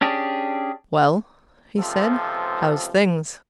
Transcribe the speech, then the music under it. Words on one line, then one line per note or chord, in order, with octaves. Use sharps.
"Well," he said, "how's things?"
C#4 D4 G4 G#4
C#2 C3 F3 A4